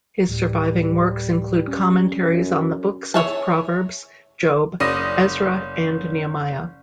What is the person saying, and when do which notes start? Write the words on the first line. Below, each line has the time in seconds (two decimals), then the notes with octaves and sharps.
His surviving works include commentaries on the books of Proverbs, Job, Ezra, and Nehemiah.
0.29 D2 A2 G3
1.68 C#4
2.29 F#2
3.14 G#4 C#5 E5 A5
4.80 F#1 C#4 D5 D#6 A#6 D#7